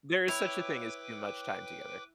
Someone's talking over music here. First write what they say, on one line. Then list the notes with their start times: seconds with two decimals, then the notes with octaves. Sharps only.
There is such a thing as too much time together.
0.28 E4 B4 C#5 G5 D6